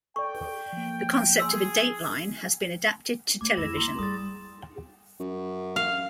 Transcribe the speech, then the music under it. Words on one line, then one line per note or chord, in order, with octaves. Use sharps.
The concept of a dateline has been adapted to television.
A4 D5 G5 C#6
F3 A#3
G#4 C6 E6
A3 C4 D6 G#6
F2 G#3 E4 B5 E6 A#6 E7
A#3 A#5 C6
G2 G3 G#4 C6 D#6 A6
F#2
F5